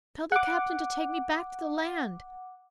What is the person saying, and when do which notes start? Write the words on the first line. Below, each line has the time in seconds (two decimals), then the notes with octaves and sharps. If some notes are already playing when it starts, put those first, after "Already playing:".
Tell the captain to take me back to the land.
0.32 F#5 D6